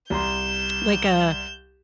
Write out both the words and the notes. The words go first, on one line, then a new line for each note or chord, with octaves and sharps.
like a
C2 A#5 C6 G6 E7